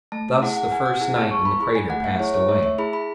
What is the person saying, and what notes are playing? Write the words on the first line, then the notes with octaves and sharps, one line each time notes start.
Thus the first night in the crater passed away.
A3 A5
E4 G#4 F#5
F#5
B3 G#5
F#5
E4 G#4 G#5
A5
B3 C#6
B5
E4 G#4 B5
G#5
A3 F#5
E5
E4 G#4 C#5
C#5
A3 E5
E5
E4 G#4 B5
B5